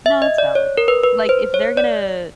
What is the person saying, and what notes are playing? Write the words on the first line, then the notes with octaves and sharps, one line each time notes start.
No, that's valid. Like, if they're gonna
E5
D#5
D5
C#5
A#4
B4
B4
C5
C#5
D5